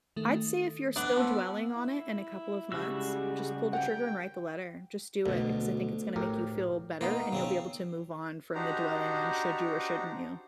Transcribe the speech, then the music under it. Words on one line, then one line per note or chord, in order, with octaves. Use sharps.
I'd say if you're still dwelling on it in a couple of months, just pull the trigger and write the letter. Just do it because I think it's gonna make you feel better and you'll be able to move on from the dwelling on should you or shouldn't you.
D#3 A3
B3 D4
F3 B3 E6
E4
C#3 G3 G#3 F#4 E6
A#4 F#5 G5
D2 B2 D3
A2 G4 A#4
A#3 B3 D#4 F4
C#3 C4 C#4
D4 D#4 F#4 G4 C5 A#5